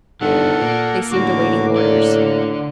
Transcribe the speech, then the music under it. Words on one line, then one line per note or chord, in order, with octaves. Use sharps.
They seemed awaiting orders.
G1 D#3 B3 A4 F#5
A#2 A#3
A2 D3 F#4 D6
D3 A#3 D5